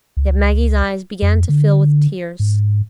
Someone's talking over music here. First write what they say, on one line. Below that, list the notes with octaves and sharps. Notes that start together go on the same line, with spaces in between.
Yet Maggie's eyes began to fill with tears.
C#2
F2
D3
G#2